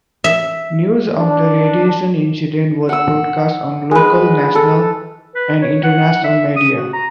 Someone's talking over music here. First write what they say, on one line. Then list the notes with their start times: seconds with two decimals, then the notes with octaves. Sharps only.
News of the radiation incident was broadcast on local, national, and international media.
0.24 E5
1.19 D4
2.89 F#5 E6
3.91 G#3 B4
4.55 A4
5.35 B4
5.62 C#5
5.83 F#5
6.24 E5
6.56 D#6
6.75 F#4
6.93 A#5